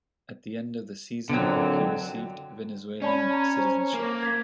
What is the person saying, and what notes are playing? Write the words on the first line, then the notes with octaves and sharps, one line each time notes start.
At the end of the season, he received Venezuelan citizenship.
F2 A#2 D3 F#3 C4
C#4 D5 A5 B5
A5 A#5 G#6
C5 A#5
A#3
G#6 B6